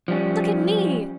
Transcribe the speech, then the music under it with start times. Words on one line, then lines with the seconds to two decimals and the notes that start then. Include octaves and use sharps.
"Look at me!"
0.08 F3 G3 C#4